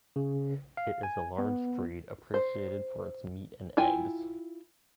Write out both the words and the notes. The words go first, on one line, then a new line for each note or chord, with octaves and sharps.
It is a large breed, appreciated for its meat and eggs.
C#3
F5
G#5
B3
C5
E4 F4 G5 G#5